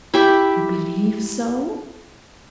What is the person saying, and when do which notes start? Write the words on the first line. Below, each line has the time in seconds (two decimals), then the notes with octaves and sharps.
"You believe so?"
0.14 E4 G4 E5